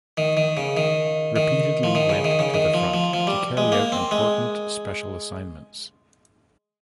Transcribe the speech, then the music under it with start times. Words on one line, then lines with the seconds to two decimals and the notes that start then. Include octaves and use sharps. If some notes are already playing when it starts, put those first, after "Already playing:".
Repeatedly went to the front to carry out important special assignments.
0.17 D#3
0.37 D#3
0.57 C#3
0.77 D#3
1.36 D#3
1.83 F3
1.95 D#3
2.09 C#3
2.24 D#3
2.39 C#3
2.54 D#3
2.74 F3
2.94 F3
3.13 F3
3.27 G3
3.57 G#3
3.72 A#3
3.92 C4
4.11 G#3